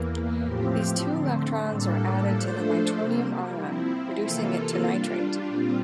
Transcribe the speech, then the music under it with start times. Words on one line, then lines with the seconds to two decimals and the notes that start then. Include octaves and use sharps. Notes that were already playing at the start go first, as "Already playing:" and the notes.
These two electrons are added to the nitronium ion, reducing it to nitrite.
Already playing: E2 E3 A#3
0.44 A2 F3 C4 G4
1.07 D3 A3 C4
1.70 A2 G3 A#3 D4 A4
2.33 F3 A3 D4 A4 C5
2.96 C3 G3 A#3
3.59 F3 C4 E4
4.22 C3 E3 A#3 F4 A4
4.85 G3 D4 F4
5.48 A#2 G3 C4 F4